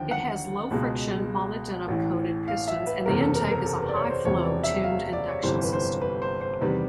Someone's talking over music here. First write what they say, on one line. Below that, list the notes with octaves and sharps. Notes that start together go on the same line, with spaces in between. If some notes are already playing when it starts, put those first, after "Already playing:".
It has low-friction molybdenum-coated pistons and the intake is a high-flow tuned induction system.
Already playing: D#2 D3 F3 G5
F#5
C#2 B2 G#3
A1 A2 E3
F5
E5
B4
F#1 E2 C3 A#4
A4
A#4
A#4
A4
B4
D5
C#5
C5
E1 E2 C3 F3 C#5
D5
E5
F5
D5
C#5
G1 F2 C3 E3 G3 C5
B4
C5
B4
C5
C5
E2 C3 D#3 G3 B4